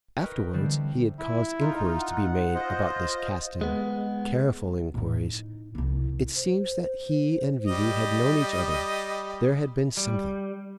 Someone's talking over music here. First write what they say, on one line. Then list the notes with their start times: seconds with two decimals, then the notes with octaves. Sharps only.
Afterwards he had caused enquiries to be made about this Caston, careful enquiries. It seems that he and V.V. had known each other, there had been something.
0.19 A#4 B4 D#5 G5 C#6
0.53 D3 E3 G3 A3 C4
1.20 E4
1.60 D#4 F4
2.00 F#5
2.55 F4 C5 D#5
3.61 G#3 B3
4.94 A2 D#4
5.75 C2 E4
6.36 C5
7.68 G3 D#5
9.97 G3